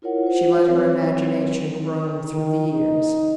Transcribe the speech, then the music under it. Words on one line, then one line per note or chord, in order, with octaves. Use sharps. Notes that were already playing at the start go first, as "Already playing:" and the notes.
She let her imagination roam through the years.
E4 F4 A#4 C#5 F#5
F4 C5
F#3 C4 C#5
D#3
D#4